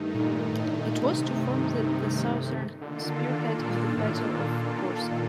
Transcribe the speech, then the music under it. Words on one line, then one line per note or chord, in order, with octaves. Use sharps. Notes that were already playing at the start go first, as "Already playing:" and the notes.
It was to form the southern spearhead in the Battle of Kursk.
Already playing: G2 D#3 A3 D#4
A#2
A2
A#2
C3
D3 D#3 A#3 D4 F4 A4
A#2
A2
A#2
A#2